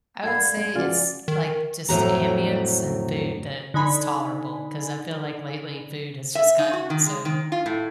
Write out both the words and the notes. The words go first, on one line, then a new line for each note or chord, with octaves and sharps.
I would say it's, like, just ambience and food that is tolerable, 'cause I feel like lately food has just gotten so
A4 D5 F5 F#5 B5 G#6
G#3
C#3 F3 F4 F#4 G#4 D5
D#3
F2 A2 F#3 A#5
D3 D#4 G#5 B5
E5
D#4
F#4
D#3
G#3
D#3
F4
A2